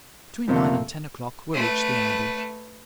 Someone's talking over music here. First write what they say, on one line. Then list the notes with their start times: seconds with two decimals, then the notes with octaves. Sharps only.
Between nine and ten o'clock we reached the Abbey.
0.48 F2 C3 A3 A#3
1.54 A3 B4